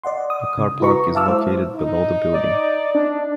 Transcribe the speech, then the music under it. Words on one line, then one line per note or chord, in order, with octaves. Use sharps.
A car park is located below the building.
D5 D#5 F#5 C6
D#6
C#3
E4 F#4 B4 A#5 C#6
E5 F5 A5 D6 E6 F6
G#3 E4 C5
D#4
D5
D4